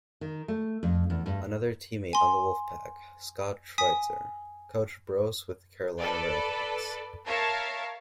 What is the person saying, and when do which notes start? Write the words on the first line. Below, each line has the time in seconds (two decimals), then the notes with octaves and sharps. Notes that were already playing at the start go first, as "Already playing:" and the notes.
Another teammate on the Wolfpack, Scott Schweitzer, coached Brose with the Carolina RailHawks.
0.21 D#3
0.48 A3
0.83 F2
1.10 E2
1.26 G2
2.13 G#5 C6
3.78 G#5 D#6 B6
5.99 A4 B4 D5
7.26 A#4 C#5 E5 F5 A5